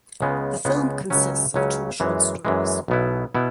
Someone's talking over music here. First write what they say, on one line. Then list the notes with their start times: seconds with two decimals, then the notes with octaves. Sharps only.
The film consists of two short stories.
0.21 C#2 C#3 G#3 B3
0.65 C#2 C#3 G#3 B3
1.10 C#2 C#3 F#3 C#4
1.54 C#2 C#3 F#3 C#4
2.00 F#2 E3 G#3
2.45 F#2 E3 G#3
2.88 B1 B2 B3 E4
3.35 B2 B3 E4